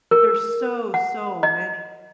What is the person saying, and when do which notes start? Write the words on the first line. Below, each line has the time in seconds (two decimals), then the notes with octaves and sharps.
There's so, so many
0.11 A#4
0.94 F#5
1.43 D#5